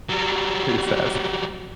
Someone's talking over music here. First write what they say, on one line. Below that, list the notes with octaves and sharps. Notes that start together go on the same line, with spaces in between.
Pretty fast.
F#3 G3